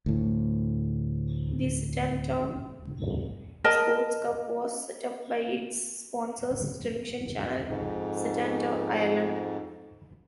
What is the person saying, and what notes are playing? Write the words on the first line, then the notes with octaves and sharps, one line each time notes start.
The Setanta Sports Cup was set up by its sponsors, television channel Setanta Ireland.
D2 A2
A#4 D#5 A5
F2 G#2